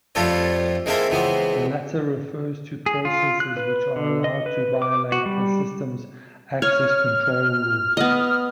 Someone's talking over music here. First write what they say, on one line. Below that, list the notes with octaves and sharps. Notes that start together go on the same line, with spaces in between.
The latter refers to processes which are allowed to violate the system's access-control rules.
F2 G3 A3 F4 A4 C#5
G#3 A#3 C4 E4 A4 A#4
C#2 E3 B3 C4
G#4
F4
F#6
B4
D3
D#5
B4
D6
F#4
G3
C#5 F6
B3 D#5